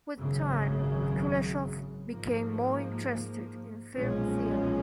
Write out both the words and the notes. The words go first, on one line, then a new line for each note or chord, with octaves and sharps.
With time Kuleshov became more interested in film theory.
G#1 F#2 C#3
G#2 F3 A#3
B1 A#2 F3 G#3 C#4